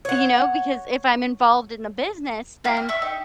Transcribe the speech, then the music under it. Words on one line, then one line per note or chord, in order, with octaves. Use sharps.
you know, because if I'm involved in the business, then
C#5 F#5
A#3 E4 F4 G5
F6
E5 C#6 E6
D#4 G4 E5